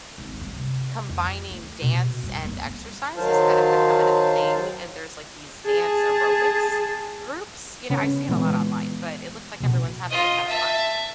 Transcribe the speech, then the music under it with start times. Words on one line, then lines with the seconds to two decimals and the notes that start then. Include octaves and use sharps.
combining dance and exercise is kind of becoming a thing, and there's like these dance aerobics groups, you know, I see it a lot online, but it looks like everyone's having a ton of fun.
0.18 G#1
0.41 G2
0.56 C3
1.09 F2
1.51 A3
1.82 B2
2.23 G2
2.45 B3
2.67 G2
3.17 D#3 F#3 C5 F5 A5
5.66 G#4 A5
7.90 C#3 B3 C#4
8.29 A#2 E3 G#3 B3
9.60 A#1 B2
10.10 F4 D#5
10.47 E5 A5